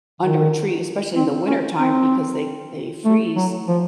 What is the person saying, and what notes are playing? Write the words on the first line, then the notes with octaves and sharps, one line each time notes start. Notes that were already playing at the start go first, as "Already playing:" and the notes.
under a tree, especially in the winter time because they they freeze
D#3
C4
C#4
C4
A3
F#3
F3